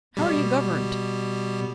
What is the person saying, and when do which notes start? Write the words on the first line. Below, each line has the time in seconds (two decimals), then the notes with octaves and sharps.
How are you governed?
0.17 B2 G3